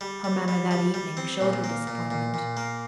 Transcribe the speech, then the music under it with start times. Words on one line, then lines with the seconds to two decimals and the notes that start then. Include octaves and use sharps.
Her manner that evening showed her disappointment.
0.01 G3
0.24 G3
0.48 G3
0.71 G3
0.94 G3
1.17 C4
1.41 A#2
1.64 A#3
1.87 A#2
2.10 A#2
2.34 A#2
2.57 A#3